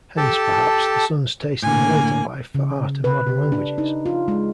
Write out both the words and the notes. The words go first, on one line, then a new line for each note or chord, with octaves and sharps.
Hence, perhaps, the son's taste in later life for art and modern languages.
G4 A4 A5
A2 D3 A#3 G#5
C#3
B4
G4
D4
D#4
F4
G#3